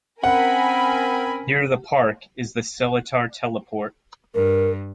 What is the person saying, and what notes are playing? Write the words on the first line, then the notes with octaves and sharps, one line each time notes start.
Near the park is the Seletar Teleport.
C4 C#4 A#4 F#5 G#5 B5
G2 A#4